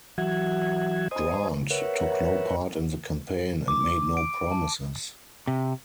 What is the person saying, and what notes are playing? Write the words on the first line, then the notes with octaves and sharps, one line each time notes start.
Grant took no part in the campaign and made no promises.
E3 F#3 F#4 E5 F#5 G#6
C5 D#5 G#5 D#6
A#4 B4 C#5 E5 F#5
D6
D7
A5
C3